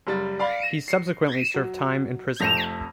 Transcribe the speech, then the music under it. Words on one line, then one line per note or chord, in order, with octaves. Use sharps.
He subsequently served time in prison.
F#1 G3 A6
D5 F5 B5
A#6
C7 C#7
F#3
F1 F2 A3 G6 A#6 F7